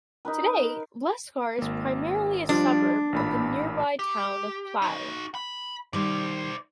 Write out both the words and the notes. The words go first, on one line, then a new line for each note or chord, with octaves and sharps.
Today, Lescar is primarily a suburb of the nearby town of Pau.
D#4 A#4 B4
G#1 A#3
F3 G3 D4 F4
A1 A#2 B5
G4
D#4 F#4
B5
D#3 G3 C5 D5